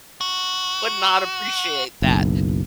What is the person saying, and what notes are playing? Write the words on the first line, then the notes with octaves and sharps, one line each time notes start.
would not appreciate that,
F#4
F#1 B1